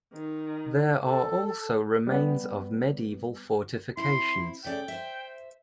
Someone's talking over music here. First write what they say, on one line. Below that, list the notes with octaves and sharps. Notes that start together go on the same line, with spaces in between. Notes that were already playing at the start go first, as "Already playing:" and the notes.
There are also remains of medieval fortifications.
D#3
A4
G3 B3
C4 E4 C6
C#3 A3 D5 G5
C5 E5